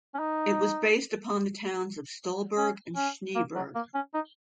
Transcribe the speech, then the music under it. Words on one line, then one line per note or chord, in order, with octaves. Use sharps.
It was based upon the towns of Stollberg and Schneeberg.
C#4
D#4
C#4
C#4
A#3
F#3
A#3
C#4
D#4